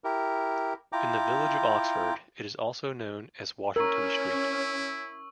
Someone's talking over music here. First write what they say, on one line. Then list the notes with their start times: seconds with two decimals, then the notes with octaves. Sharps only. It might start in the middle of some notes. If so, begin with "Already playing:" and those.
In the Village of Oxford, it is also known as Washington Street.
0.04 E4 G4 A#4
0.93 E4 F4 G5 A#5 D6
3.76 C#4 E4 A#4 C#6 E6